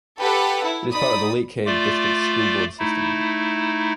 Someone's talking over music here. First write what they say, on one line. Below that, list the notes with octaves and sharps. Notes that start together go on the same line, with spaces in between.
It is part of the Lakehead District School Board system.
G4 A4 B4 F#5
E4
D#4 D5 B5 D#6
A3 F4 D5 D6
A3 D#4 E4